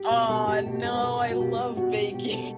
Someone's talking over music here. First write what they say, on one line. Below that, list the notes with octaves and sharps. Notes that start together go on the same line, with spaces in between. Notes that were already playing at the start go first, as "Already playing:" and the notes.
Aw, no, I love baking.
Already playing: G4
B2
B2 A4
B2 G4
B2
B2 A4
B4
B2 A4
B2
F#4
B2 G4
B2
B2 F#4
B2 G4
B2 G4
B2 A4